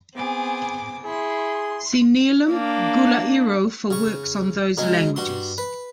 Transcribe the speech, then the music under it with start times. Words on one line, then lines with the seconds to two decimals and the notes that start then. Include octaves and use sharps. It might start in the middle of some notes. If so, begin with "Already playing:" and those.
See Niellim, Gula Iro for works on those languages.
0.15 B3 C4 G#4 G#5 D6
1.05 E4 G#4 C6
2.50 A#3 D4
3.91 C#3 C#6
4.78 C#3 F#3 G#3
5.16 G2 F#4 C6
5.58 B4